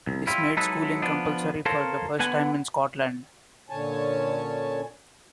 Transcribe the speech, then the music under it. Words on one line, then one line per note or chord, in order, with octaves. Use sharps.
This made schooling compulsory for the first time in Scotland.
C2
G3 E4 F4
F#3 G#3 D#4 E4 A4 B4
F3 B3 D4
A4 A#4 C5 C#5 F5 A#5
D3 B3 F#5 G#5
A#2 D3 C#4 C#5 G#5 A5